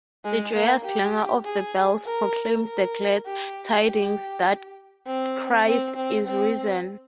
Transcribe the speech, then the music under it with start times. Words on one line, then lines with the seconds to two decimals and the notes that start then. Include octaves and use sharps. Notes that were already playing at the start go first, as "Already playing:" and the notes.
The joyous clangor of the bells proclaims the glad tidings that Christ is risen.
0.24 G#3
0.55 A#3
0.85 G4
1.45 G#4
2.06 A#4
2.65 A#4
3.26 G4
3.86 G4
5.07 C4
5.67 C4
5.97 C4
6.27 C4